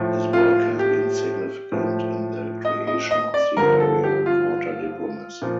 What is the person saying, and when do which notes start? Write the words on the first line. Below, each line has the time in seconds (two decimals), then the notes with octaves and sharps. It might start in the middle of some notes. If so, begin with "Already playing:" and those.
His work has been significant in the creation of the area of Water diplomacy.
Already playing: A2 F3
0.33 F4
0.79 G4
1.72 A2 F3
2.65 D#5
2.87 D#5
3.11 D#5
3.34 D5
3.57 G2 D3 F3 A#4
3.80 A4
4.04 G4
4.26 F4
5.42 A#2 F3